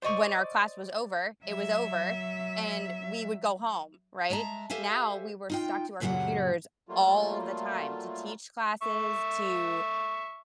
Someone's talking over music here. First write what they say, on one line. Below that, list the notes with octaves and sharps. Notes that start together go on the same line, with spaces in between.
when our class was over, it was over, and we would go home, right? Now we were stuck to our computers all the time to teach classes, to
C5 D5 D#5 C#6
F#3 E5
G#3 E5 A5 A#5
G4 A4 C5 E5 F5 G#5
D#4 F4 G5
F#2 A#2 C#3 F#3 G4 F#5
F#3 G3 A3 A#3 F4
E5 C#6